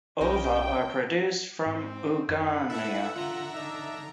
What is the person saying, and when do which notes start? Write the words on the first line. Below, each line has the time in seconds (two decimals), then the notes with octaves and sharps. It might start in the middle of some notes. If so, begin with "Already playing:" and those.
Ova are produced from oogonia.
0.21 B1 A#3 C#4 G4 D#5 G5
1.66 G#2 C4
2.29 F#2 B4
2.70 E4 A4 E5 F#5
3.16 D3 F4 A#5
3.54 D4 D#4 E5